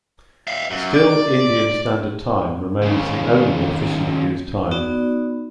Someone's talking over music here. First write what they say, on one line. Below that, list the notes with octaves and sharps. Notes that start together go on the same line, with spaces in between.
Still Indian Standard Time remains the only officially used time.
E5 F5
F#2
D5
D#2 C#3
B3 D#4 F#4 D5